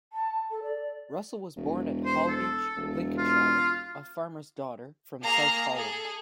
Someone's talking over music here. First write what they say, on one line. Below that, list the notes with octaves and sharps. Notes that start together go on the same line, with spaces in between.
Russell was born at Holbeach, Lincolnshire, a farmer's daughter from South Holland.
A5
A4
D5
E1
C5
A4
E1
F4
A#3 G#4 A#5 C7
G#4 A4